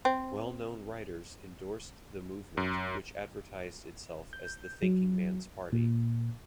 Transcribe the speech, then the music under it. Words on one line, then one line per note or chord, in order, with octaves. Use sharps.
Well-known writers endorsed the movement, which advertised itself as the thinking man's party.
C4
F#2
G6
F#3
A#2